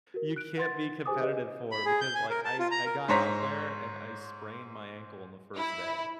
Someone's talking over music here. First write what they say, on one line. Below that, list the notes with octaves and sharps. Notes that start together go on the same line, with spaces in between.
you can't be competitive for because, like, I I got out there and I sprained my ankle on the first day.
F#4 A#4
F#6 D7
F#5 C6 A6
G4 G#4 C5 G#5 D6 D#6
G4 G#4 B4 C5 D#5
B5
G#4
G6
G#5
A#4
A5
F4
A#5
A#4
G#2 C5 C#5 A#5 B6
E4